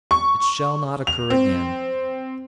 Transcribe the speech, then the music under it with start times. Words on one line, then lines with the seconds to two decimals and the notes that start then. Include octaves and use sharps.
'It shall not occur again.
0.11 C#6
1.07 F7
1.30 C4